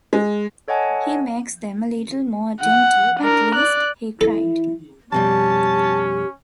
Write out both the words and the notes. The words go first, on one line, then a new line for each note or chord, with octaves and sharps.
He makes them a little more attentive at least,’ he cried.
G#3
A4 C#5 D#5 F#5 G#5 A5
F#5
D4 A#4
D5 F#6
E4 A4
F2 B2 G3 C#4 G4 A5